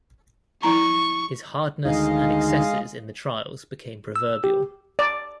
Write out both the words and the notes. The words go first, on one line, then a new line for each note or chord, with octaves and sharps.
His hardness and excesses in the trials became proverbial.
F3 E4 A#5 C#6
D2 D#3 G#3 D#4 D#5 F5
E6
G4
D5